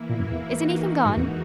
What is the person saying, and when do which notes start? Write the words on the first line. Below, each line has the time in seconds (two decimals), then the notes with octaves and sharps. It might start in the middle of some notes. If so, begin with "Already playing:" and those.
"Is anything gone?"
Already playing: E3 A#3 E4
0.09 A#2
0.19 F#2
0.31 E2
0.41 E3 A#3 D#4 F#4
1.05 G#2 E3 G#3 D#4 F#4
1.16 E2